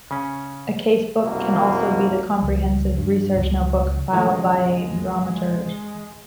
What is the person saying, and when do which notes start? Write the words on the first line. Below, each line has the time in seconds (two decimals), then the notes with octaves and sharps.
A casebook can also be the comprehensive research notebook compiled by a dramaturge.
0.11 C#3 C#4
1.24 C2 F#2 B2 A#3
2.43 C#2
2.98 G2
3.37 C#2
4.13 C#2 B2 E3 F3 G#3 A3